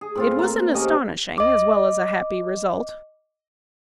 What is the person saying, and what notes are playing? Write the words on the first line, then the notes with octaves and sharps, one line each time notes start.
It was an astonishing as well as a happy result.
G#4
A2 C4 F4
A#3
C3 C#4 G4 D#5
D#5 D6